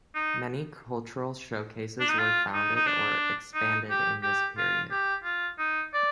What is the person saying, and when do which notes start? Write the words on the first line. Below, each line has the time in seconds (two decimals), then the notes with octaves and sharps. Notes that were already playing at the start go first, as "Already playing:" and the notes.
Many cultural showcases were founded or expanded in this period.
0.15 D#4
2.00 D4
2.09 D#4
2.19 F4
2.54 D#4
2.75 D#4
2.87 D4
3.54 D#4
3.90 G4
4.22 G4
4.57 F4
4.91 G4
5.24 F4
5.59 D#4
5.93 D5